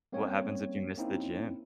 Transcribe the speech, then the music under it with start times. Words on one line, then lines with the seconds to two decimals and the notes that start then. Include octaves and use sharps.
What happens if you miss the gym?
0.12 G3 A#3 C4 C#4 C#5
0.98 A#3 C4 C#4 D#4 E4